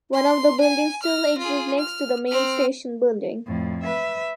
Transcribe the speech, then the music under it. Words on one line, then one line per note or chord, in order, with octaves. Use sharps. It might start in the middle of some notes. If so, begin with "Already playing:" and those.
One of the buildings still exist next to the main station building.
C6
G#5
F6 A#6
F4 G#4
F6
C4 F6
F2 A2
B4 E5